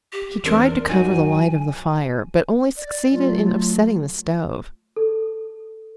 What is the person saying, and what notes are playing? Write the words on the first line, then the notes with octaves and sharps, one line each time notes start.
He tried to cover the light of the fire, but only succeeded in upsetting the stove.
G4
E2 C4 D4 A#4
F#2 D#4 F#4 G#5
D5
F#3 A3 F4
A4